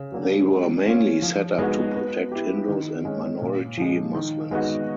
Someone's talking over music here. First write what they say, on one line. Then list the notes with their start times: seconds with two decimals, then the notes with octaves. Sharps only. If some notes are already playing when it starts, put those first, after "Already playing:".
They were mainly set up to protect Hindus and minority Muslims.
Already playing: C#3
0.12 F#3 A#3 D4
0.49 G#3
0.86 C#4 F4
1.22 F3
1.58 G#3 B3 D#4 F#4
1.95 B3
2.32 E4 G4
2.68 D#3
3.05 G#3 C#4
3.42 A#2
3.77 F3 G#3
4.15 D#3
4.51 G#3 B3 D#4 F#4